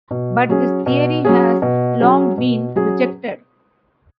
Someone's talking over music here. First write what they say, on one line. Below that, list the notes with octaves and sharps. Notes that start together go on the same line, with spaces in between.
But this theory has long been rejected.
B2
F#3 C#4 G#4
B2
F#3 C#4 G#4
B2
F#3 C#4 G#4
B2
F#3 C#4 G#4